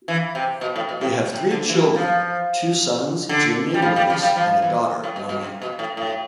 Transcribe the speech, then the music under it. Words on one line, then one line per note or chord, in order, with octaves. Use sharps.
They have three children - two sons, Jamie and Lukas, and a daughter, Monique.
E3
C3
B2
A2
B2
A2
C3
D3
E3
F3
D3
G3
F3
G3
F3
G3
F3
E3
A2
B2
B2
C3
B2
A2
A2